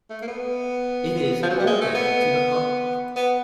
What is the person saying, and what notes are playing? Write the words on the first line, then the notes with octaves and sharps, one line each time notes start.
It is open to the public.
A3
A#3
B3
F3
F#3
G3
G#3
A3
B3
B3